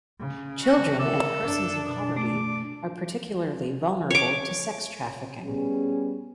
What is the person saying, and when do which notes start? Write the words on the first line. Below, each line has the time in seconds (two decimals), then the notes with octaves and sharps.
Children and persons in poverty are particularly vulnerable to sex trafficking.
0.20 C#3
0.63 F#4
1.00 A4 A#4 E5 D6
1.44 F#2 D4
1.87 B2
2.17 A3 D6
4.11 C#5 D6
5.45 G3 B3 C#4 G#4